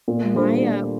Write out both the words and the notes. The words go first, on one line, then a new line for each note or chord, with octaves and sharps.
My, uh
A#2
G3 D4 A4 C5
A#2